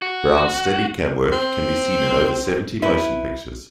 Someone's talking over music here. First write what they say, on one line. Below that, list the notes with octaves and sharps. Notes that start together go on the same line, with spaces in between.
Brown's Steadicam work can be seen in over seventy motion pictures.
F#4
C4
E4 B4